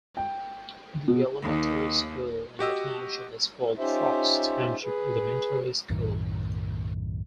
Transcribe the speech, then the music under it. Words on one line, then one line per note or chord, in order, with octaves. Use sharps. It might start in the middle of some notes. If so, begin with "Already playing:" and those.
The elementary school in the township is called Fox Township Elementary School.
G5
B2
D#2 D#3
F#4 G4 D#5 E6
C#4 D#4 F4 G4 C5 E5
G#4 B4
B1 F#2 A2 D#3